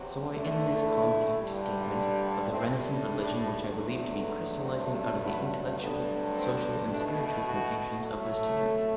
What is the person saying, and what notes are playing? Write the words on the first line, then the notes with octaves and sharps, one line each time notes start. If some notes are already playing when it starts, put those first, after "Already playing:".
So I end this compact statement of the renascent religion which I believe to be crystallising out of the intellectual, social, and spiritual confusions of this time.
Already playing: E2 C3 F#3
E2 D3 A3
E4
G2 D3 G3
A2 G3 C4
D4
E2 D3 F#3 A3
B3
G2 F#3 A3 C4
B3
G2 D3 F#3 A3 B3
C4
B2 A3 D4
F#4
A2 F#3 A3
A4